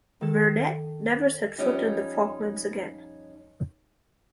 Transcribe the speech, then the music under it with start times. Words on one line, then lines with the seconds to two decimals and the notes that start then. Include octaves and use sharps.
Vernet never set foot in the Falklands again.
0.21 D#3 A4
1.58 F3 G3 C#4 D#4 D5